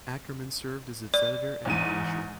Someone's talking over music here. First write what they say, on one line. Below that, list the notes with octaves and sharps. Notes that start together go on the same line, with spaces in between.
Ackerman served as its editor and publisher.
D5
E2 G#2 D#7